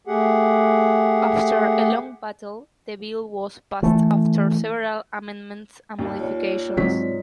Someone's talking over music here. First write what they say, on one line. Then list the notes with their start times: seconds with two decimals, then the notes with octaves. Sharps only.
After a long battle, the bill was passed after several amendments and modifications.
0.07 A3 G4 G#4 F#5
3.83 E3 A3
5.99 D#2
6.18 F4 C#5 D5
6.77 G#2 C3 F#3 B6